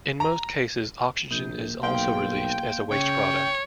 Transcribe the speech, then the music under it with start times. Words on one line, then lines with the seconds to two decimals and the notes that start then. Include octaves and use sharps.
In most cases, oxygen is also released as a waste product.
0.20 A#5
1.31 A#1 A#3 G6
1.83 B1 A#3 F5 G5 C6
2.91 C#3 C#5 G5